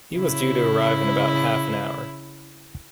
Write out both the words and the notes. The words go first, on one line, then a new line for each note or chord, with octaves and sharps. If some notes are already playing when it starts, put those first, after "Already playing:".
He was due to arrive in about half an hour.
C#3 E4